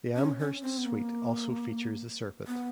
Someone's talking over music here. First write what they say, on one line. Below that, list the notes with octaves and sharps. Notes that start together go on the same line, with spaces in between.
The "Amherst Suite" also features the serpent.
C#4
C#4
C4
B3
A#3
B3